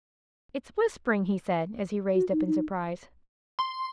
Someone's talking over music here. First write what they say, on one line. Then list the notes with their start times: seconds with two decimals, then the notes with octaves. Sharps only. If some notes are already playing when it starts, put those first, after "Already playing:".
"It's whispering!" he said, as he raised up in surprise.
2.15 F#4
2.32 D#4
2.47 D#4
3.59 C6